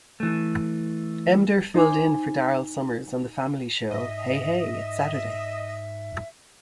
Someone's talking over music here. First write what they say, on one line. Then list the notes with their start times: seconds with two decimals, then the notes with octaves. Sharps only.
Emdur filled in for Daryl Somers on the family show "Hey Hey It's Saturday".
0.20 E3 A3
1.74 D#4 C5 G#5 D6
3.91 G#2 D#5 E5